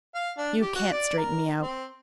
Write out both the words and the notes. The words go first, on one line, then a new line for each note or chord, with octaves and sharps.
"You can't straighten me out."
F5
D4
G4
F#4
D5
A#4
C4